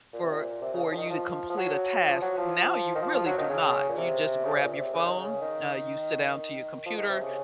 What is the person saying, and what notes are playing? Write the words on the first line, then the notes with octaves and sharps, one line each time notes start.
for for you to complete a task, now you really do not. You just grab your phone, uh, you sit down to your computer,
A#2
C3
A#2
C3
C#3
D#3
F3
D#3
F3
F3
F#3
F3
F#3
F3
D#3
F3
F3
F#3
D#3
C#3
A#2
C3
C#3
C3
A#2
C3
C#3
D#3
C#3
D#3
D#3
F3
D#3
C3
C#3